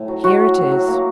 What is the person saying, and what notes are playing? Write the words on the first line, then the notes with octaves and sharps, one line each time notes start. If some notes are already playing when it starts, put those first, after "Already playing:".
"Here it is."
Already playing: A2
F#3
F#3 F#4
A2
F#3
F#3
A#3